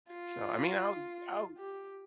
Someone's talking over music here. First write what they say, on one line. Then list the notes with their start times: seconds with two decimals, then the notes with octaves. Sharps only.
so, I mean, I'll I'll
0.10 F4
1.58 G4